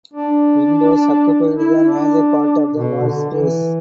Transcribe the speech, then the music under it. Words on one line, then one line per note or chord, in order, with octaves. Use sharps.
Windows occupied the major part of the wall space.
D4
E4
D4
B2
D3
E3